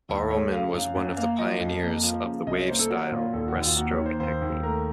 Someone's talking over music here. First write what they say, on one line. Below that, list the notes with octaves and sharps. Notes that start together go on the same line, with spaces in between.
Barrowman was one of the pioneers of the "wave-style" breaststroke technique.
D#2
A3 C#5
C#3 F5
F#2 F5
F#2
A#3 F5
F3 D#5
F2
A#3
F3
C#3
C2 D#5
C#5
A#3 C5
A4
F#3 F#4
A#2 F4
D#2 A4
F#4
D#2
F4
A#3 F#4
C#5
D#3
C5
D#2 C5
D#2
A3 A#4